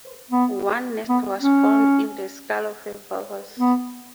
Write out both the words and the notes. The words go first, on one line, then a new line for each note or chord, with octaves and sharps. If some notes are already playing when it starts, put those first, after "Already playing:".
One nest was found in the skull of a walrus.
B3
B3
C#4
B3